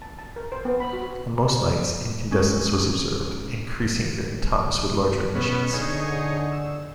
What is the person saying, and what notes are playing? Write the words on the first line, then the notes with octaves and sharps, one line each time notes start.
On most nights incandescence was observed, increasing during times with larger emissions.
A5
A5
A#4
C5
B3
B5
F#4
G#3 C#4
B2 B3 C#4
D3 D#4 G#4 C#5
E6